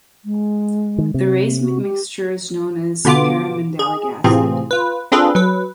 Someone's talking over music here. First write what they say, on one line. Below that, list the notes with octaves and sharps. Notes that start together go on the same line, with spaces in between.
The racemic mixture is known as "paramandelic acid".
G#3
D#3
C3
F#4
G4
B2 D3 B3 F4 D6
G#4
A2 C3 E3 C4 F4 G#4
F4 B4
C4 D4 F4 G#4 A4 B4
F#3 B4